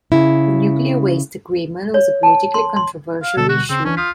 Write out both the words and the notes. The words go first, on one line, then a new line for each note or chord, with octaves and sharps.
The nuclear-waste agreement was a politically controversial issue.
C#3 E4
C#5
A5
C6
C6
F5
B2 D3 G3 A4
F#4
C#3 C4
E3 C#4 D4
F4 D#6 G6 B6